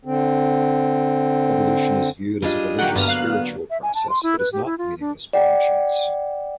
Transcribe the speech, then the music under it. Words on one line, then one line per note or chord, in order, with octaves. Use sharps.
Evolution is viewed as a religious spiritual process that is not meaningless blind chance.
D3 C4
G3 D4 F4 G4 G#4 D#5
D3 F#3 A#3 F#5 G5
G2 B3 F6
F5 F#6
E5
G#5
A5
C6
E4
B4
G4
E4
F4
D4
D5 F#5 G5